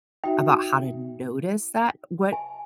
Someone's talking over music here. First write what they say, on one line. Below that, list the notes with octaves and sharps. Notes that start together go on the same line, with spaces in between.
about how to notice that, what
D#4 F#4 E5 G5
G#5